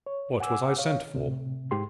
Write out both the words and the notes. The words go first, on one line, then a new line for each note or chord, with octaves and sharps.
"What was I sent for?"
C#5
F#5 G#5 D6 E6
C#5 F5
A2 C3
G#2 G4 C6